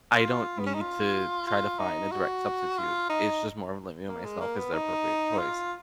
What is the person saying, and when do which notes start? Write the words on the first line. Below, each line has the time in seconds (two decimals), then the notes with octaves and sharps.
I don't need to try to find a direct substitute. It's just more of living on myself is the appropriate choice,
0.16 F4
0.59 B3
0.66 C#4
0.74 D#4
0.82 F4
1.47 F4
1.79 D#4
2.12 F#4
2.78 F4
3.09 D#4
4.08 A#3
4.25 G#3
4.41 A#3
4.57 B3
4.73 D#4
5.39 F4